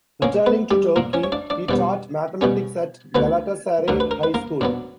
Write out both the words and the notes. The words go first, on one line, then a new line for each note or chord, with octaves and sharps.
Returning to Turkey, he taught mathematics at Galatasaray High School.
A#2 A#3 C#4 C#5
B3 B4
G3 G4
A#2 A#3 A#4
C#4 C#5
C#5
D4 D5
D4 D5
B2 G3 B3 D4 D5
B2 G3 B3 C#4 C#5
D2 D3 F#3 B3 B4
D2 D3 F#3 A#4
B4
A#4
B4
A#3 A#4
A#2 F#3 B3 D4